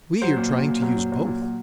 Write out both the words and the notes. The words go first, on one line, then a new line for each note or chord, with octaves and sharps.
We are trying to use both.
F#3 C5
A#2
F#3
A#2
F#3
A#2
F#3
A#2
F#3